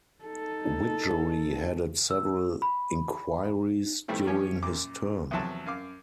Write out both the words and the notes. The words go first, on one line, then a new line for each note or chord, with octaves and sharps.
Widgery headed several inquiries during his term.
D#4 A4
E6
B5
G2 D#3 G3 A3 C4 E4
F3 C#4 G4 C#5
F#2 A#2 D6
E2 C3 F3 F#3 E5 A5
F#2 F5 D6